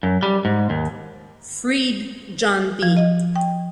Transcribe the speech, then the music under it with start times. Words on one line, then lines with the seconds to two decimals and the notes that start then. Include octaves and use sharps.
Freed, John B.
0.03 F#2
0.23 G3
0.45 G#2
0.70 D#2
2.82 F3
2.97 D#5
3.36 G5